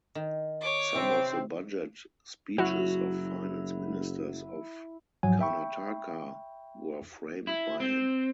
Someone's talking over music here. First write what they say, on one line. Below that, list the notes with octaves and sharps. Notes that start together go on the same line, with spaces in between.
Some of the budget speeches of Finance Ministers of Karnataka were framed by him.
D#3
C#5 D6
C3 C4 B4
F#1 F#3 E4 F#4
G#2 F3 F#3 F#5 G#5
E5 G5 B5 C#6
E4
C4